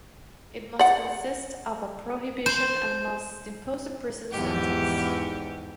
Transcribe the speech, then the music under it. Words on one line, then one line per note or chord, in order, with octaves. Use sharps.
It must consist of a prohibition and must impose a prison sentence.
D5 F#5
C5
E2 G#2 G4